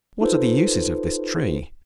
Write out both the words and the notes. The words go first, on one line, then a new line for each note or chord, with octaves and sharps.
What are the uses of this Tree?
D#4 F4 A4 B4 C5